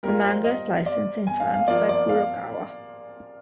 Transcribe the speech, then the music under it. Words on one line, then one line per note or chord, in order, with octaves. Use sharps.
The manga is licensed in France by Kurokawa.
G3 A#3 F4 A#4
C5
D#5
D5
G#5
F5
F5
F3 A#3 F4 D5
D5
F5